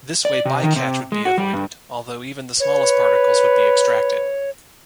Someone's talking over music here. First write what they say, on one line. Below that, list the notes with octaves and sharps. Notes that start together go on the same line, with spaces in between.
This way bycatch would be avoided, although even the smallest particles would be extracted.
D5
C3
D#3
C3
G#3
F#4
G3
G2
B4 C#5